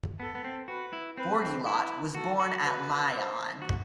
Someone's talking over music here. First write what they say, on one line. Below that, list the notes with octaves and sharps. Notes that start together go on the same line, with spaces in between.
Bourgelat was born at Lyon.
B3 A4
B3
C4
F#4 B4
E4
C4 B4
C4
E4 B4
F#4 A4
F#4
B4
C5
F#4